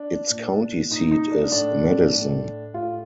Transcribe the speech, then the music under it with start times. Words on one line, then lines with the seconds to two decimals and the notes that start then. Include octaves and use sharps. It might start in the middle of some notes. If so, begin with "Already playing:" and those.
Its county seat is Madison.
Already playing: D4
0.30 A#2
0.90 A#2 D#4
1.11 D#4
1.32 D4
1.51 A2 D4
2.12 A2
2.74 A2 F4